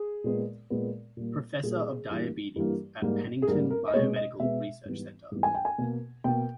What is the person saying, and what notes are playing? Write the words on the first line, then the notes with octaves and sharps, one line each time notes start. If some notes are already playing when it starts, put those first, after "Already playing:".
Professor of Diabetes at Pennington Biomedical Research Center.
Already playing: G#4
A#2 G#3 B3
A#2 G#3 B3
A#2 G3 A#3
A#2 G3 A#3 G#4
G2 E3 G3 A#3
G2 E3 G3 A#3
G#2 G3 A#3
G#4
G#2 G3 A#3 A#4
A#4
D#5
B2 G#3 B3 C#5
D#5
B2 G#3 B3 E5
G#2 E3 G3 B3
G#2 E3 G3 B3
G#5
G5
G#5
B2 A#3
B2 A#3 G5